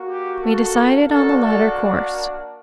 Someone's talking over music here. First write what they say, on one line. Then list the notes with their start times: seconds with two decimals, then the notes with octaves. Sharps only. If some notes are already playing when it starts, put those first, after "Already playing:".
We decided on the latter course.
Already playing: A#3 F#4
0.09 G4
0.43 A4
1.09 A#3 D4 F#4 A4
1.44 A4